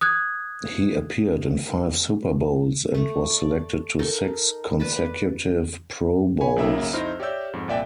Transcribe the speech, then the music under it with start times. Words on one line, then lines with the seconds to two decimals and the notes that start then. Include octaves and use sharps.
He appeared in five Super Bowls and was selected to six consecutive Pro Bowls.
0.01 D#6 F#6 G#6
2.94 A3
3.30 D5
3.99 D#4 A4 A#4
4.80 B4 D5 A5 B5
6.41 C#5 G#5 B5
6.56 B1 C#3 A#3 E5 A#5 E6
6.93 F2 D#4 E4 C5 F6 A#6
7.20 G4 C#5 D5 E5 E6 G6
7.53 F2 G#2
7.68 C2 A#2 D5 E5 G5